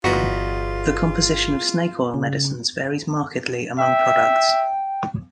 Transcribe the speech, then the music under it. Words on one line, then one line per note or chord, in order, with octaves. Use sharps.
The composition of snake oil medicines varies markedly among products.
G1 E2 D#4 F4 F#4 B4
C#3
E5 G5